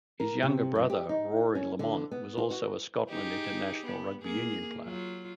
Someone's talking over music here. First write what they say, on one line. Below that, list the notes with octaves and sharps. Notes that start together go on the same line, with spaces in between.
His younger brother Rory Lamont was also a Scotland international rugby union player.
A#4
C3
F#2
G4
D#4
C#4
D3
B3
F4
F#4
D#4 G4 G#4
B3
A#3 G#4
F#3 F4